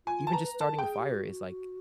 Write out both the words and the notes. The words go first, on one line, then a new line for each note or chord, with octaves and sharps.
even just starting a fire is, like,
F4 G#5
A5
B4 A#5
B4
A#4 A5
G#4 G5
G4
F#4